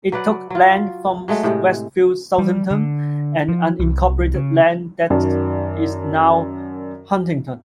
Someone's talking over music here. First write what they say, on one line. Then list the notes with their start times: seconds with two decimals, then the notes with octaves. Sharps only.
It took land from Westfield, Southampton, and unincorporated land that is now Huntington.
0.12 F#3 B4 D5 F#5
0.50 F#3 F4
1.28 F#3 G#3 A3
1.43 A2 C3 G#3
2.38 G3
2.71 D3
3.49 F3
3.80 C2
4.34 C#3
5.10 F#2 D#3 F#4 D5 A5